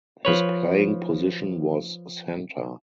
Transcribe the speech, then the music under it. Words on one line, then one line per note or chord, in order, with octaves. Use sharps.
His playing position was centre.
F3 B4 C#5